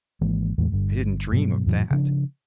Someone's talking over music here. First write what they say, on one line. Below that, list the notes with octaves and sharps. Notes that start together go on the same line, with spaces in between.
I didn't dream of that.
G#1 E3 G#3 A#3
E2 A2 E3 G#3
G1 G2
G2 B2 F#3
F2 A2 E3 F#3
C#3 F3 D4